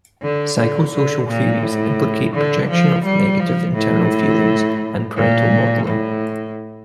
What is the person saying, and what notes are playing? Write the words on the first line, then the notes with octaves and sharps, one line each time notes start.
Psychosocial theories implicate projection of negative internal feelings and parental modeling.
D3
D3
D3
A#2
A2
D3
F3
G3
F3
A2
A#2
A2